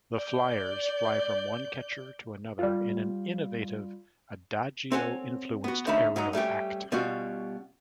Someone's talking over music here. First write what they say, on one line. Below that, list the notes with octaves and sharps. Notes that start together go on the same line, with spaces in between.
The flyers fly from one catcher to another in an innovative adagio-influenced aerial act.
D5 G6
G3 F4
C4 A4 C#5 F#5 G#5
B3 F#4
D3 A3 C#4 D#4 E5 B5
G#2 F#3 D#4
G3 A3 C#4 G4
B2 G3 C#4 F4 F#4